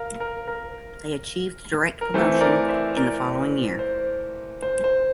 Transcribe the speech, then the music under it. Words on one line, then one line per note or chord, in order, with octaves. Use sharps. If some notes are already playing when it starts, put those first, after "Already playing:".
They achieve the direct promotion in the following year.
Already playing: A#4 F5
A#4
A#4
A#4
E3 A3 C4 C5
C5
A#4 D5
C5 E5
A#4 D5
C5
C5
C5